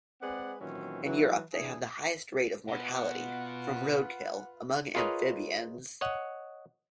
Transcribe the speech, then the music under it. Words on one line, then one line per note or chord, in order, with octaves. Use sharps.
In Europe they have the highest rate of mortality from roadkill among amphibians.
G#3 C4 G#4 B4 D5 F#5
A#2 D#3 E3 F#3 C4 C#4
E3 F#3
E3 D4 E4 G#4
B2 F4 B4 F#5
F4 G#4 A#4 B4 C#5 D#5
C#5 D#5 F#5